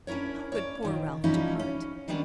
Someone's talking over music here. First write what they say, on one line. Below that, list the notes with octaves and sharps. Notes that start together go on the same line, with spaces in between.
How could poor Ralph depart?
C#4 D4 E4 A#4 C#5
C#5 D5
A#2 D#3
E3 F3 G3 C#4 D#4 E4
C#4
D#3 G3 B3 C#4 D4